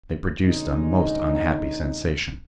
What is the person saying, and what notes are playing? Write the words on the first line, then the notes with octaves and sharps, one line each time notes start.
They produced a most unhappy sensation.
B2 D3 G#3 C#4 D#4